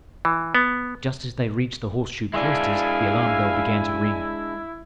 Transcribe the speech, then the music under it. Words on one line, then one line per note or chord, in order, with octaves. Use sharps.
Just as they reached the Horseshoe Cloisters, the alarm-bell began to ring.
E3
B3
G#3 D4 E4 F5 G#5